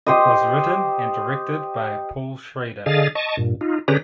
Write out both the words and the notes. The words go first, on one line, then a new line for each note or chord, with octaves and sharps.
It was written and directed by Paul Schrader.
G4 C5 D#5
D3 G#4 D#5 F5 A6
D#5 A5 C#6
G2 A#2
D#4 F4
D3 C#4 G4 G#4 B4 A#5